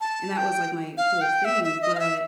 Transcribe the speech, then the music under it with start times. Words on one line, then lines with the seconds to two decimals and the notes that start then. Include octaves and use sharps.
and that was, like, my whole thing. But
0.01 A5
0.37 G5
0.97 F5
1.21 G5
1.45 E5
1.64 E5
1.82 D#5
1.95 F5
1.99 E5